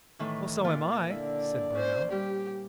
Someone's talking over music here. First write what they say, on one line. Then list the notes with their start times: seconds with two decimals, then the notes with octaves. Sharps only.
"Well, so am I!" said Bruno.
0.19 A2 D#3 E3
0.64 A#2 F4
1.11 D3 E4 D5
1.75 C#4 C5
2.12 G3 G4